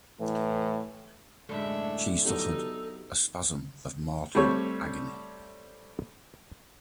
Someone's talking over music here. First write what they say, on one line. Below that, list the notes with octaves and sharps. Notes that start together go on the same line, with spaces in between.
She suffered a spasm of mortal agony.
A2 E3
F#2 A2 D3 G#3 D4 E5
F#3 B3 D#4 G4 A4
G3 A3 C4 C#5